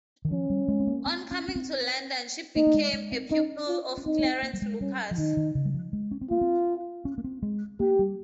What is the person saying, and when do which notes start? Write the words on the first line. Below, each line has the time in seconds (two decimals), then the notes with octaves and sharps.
On coming to London she became a pupil of Clarence Lucas.
0.25 D#3
0.31 F3 C#4
0.50 G3
0.68 G#3
0.80 C4
0.87 A#3
1.06 C4
1.31 C#4
1.48 C#4
1.56 C4
2.56 A#3 D#4
2.67 A#3
2.74 G#3
2.93 G#3
3.12 C4
3.31 C#4 D#4
3.68 F4
3.97 C#4
4.06 C4 D#4
4.19 A#3
4.24 C4
4.43 A#3
4.53 G3
4.62 G#3
4.81 G3 C#4
5.11 F3
5.18 D#3 D#4
5.37 D#3
5.55 C#3
5.65 G3
5.74 F3
5.93 G#3
6.11 C#4
6.21 C4
6.30 A#3 F4
6.41 C4
7.05 C#4
7.18 A#3
7.24 C4
7.43 G#3
7.80 A#3 G4
7.99 G3